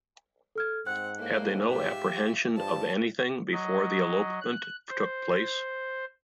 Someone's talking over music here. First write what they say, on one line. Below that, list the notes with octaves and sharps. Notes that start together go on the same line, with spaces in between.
Had they no apprehension of anything before the elopement took place?
A4 F6 G#6
G#2 C4 F#5 F#6
A2 A#3 C5
F4 G4 E5
G2 F3 A5
F#3 D#5
F#6
C5